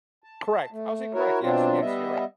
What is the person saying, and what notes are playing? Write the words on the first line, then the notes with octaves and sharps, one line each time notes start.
Correct. I would say correct. Yes. Yes. You're right.
A5
A3
E4 F#4 A#4 C#5
B2 F#3 C4 D4 F4
G3 B3 D#5 E5